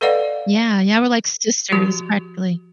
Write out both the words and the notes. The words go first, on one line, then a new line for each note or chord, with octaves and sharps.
Yeah, yeah, we're like sisters, practically.
A4 B4 D5 D#5 F5 F#5
F3 F#4 G4